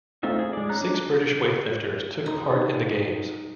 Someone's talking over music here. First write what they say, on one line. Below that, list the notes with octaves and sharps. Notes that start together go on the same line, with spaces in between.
Six British weightlifters took part in the Games.
A3 C4 D#4 F4 E5
G#4
G#3 D5
C#4 D#4 A#5 F#6
D4 D6
D#4